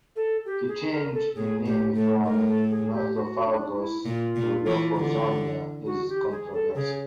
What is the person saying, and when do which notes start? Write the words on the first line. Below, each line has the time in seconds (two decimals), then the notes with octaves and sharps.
The change in name from "Nothofagus" to "Lophozonia" is controversial.
0.16 A4
0.46 G4
0.68 G#4
0.91 A#4
1.13 A4
1.35 A2 G#4
1.66 A2 G4
1.95 A2 A4
2.26 A2 A#4
2.48 A4
2.70 G#4
2.93 G4
3.15 F#4
3.46 D4
3.76 E4
4.05 A#2 F4
4.36 A#2
4.66 E3
4.96 D3
5.86 F#4
6.09 G4
6.31 G#4
6.53 A4
6.75 C#3 G#4